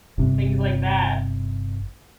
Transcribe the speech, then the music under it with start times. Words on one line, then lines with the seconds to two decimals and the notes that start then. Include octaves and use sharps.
things like that.
0.18 G1 C3